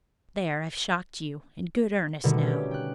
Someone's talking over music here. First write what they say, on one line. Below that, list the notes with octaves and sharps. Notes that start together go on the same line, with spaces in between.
There, I've shocked you in good earnest now.
B2 D3 D#3 G3 A3
C#4 G4
G5 F#6